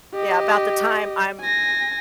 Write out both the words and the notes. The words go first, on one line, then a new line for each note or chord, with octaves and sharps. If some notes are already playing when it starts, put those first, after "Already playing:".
yeah, about the time I'm,
G4 D#5
G#5 A#6